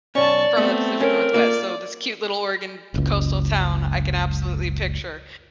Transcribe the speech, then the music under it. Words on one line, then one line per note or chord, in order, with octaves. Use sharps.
from the Pacific Northwest. So this cute little Oregon coastal town, I can absolutely picture
B1 C#4 D5 A5 C#6
A3 B3 C4
C#4 A#4
A#3 F4 D5
F#1 C#2